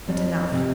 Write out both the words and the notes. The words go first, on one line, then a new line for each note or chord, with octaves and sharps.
But enough.
F2
C3